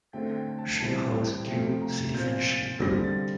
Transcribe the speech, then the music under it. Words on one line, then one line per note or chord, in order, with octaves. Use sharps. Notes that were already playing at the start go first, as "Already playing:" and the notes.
She holds dual citizenship.
D3 A3 C4 G5
G5
A5
E3 G3 C4 A5
G5
C3 F3 A3 G5
A#5
A#2 F3 C4 G6
A6
D3 G3 C4 A#6
A6